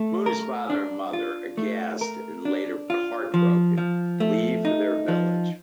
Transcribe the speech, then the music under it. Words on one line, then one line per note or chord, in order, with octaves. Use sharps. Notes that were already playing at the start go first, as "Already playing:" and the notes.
Munna's father and mother, aghast and later heartbroken, leave for their village.
Already playing: A3
A#4
D4
F4
A3
A#4
D4
F4
F3
F3
A3
D#4
F3